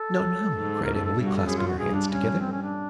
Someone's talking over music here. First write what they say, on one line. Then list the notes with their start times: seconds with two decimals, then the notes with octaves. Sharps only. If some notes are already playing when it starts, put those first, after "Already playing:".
'No! no!' cried Emily, clasping her hands together.
Already playing: A4
0.53 G#2
0.84 A#4
0.94 A4
1.05 A4
1.16 G2
1.26 F#4
1.36 A4
1.47 F#2 G#4
1.58 F4
1.67 F#4
1.78 G2 G#4
1.94 D4
2.09 C#4
2.41 C4
2.52 C#4
2.63 D4